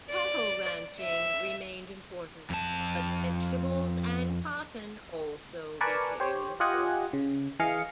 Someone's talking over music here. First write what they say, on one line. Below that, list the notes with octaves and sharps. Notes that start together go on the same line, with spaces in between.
Cattle ranching remained important, but vegetables and cotton also became important.
D5
E5
F2 A5
A#4 B4 D5 G#5 A5 C#6
G4 C5 C#5
F4 G4 D#5 F#5 G#5
C#3
E3 G#4 D#5 F5 C#7